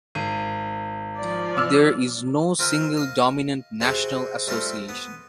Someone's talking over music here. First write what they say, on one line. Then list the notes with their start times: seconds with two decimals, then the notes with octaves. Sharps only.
There is no single dominant national association.
0.15 G#1 C7 D#7
1.17 F3 D5
1.57 D6 E6 F6
2.59 C4 F4 A#4 E5 G5 G#5
2.97 D#5 F5
3.80 C3 C4 F#4 G#4
4.47 G3 A3 C4 F4 A4
4.89 B3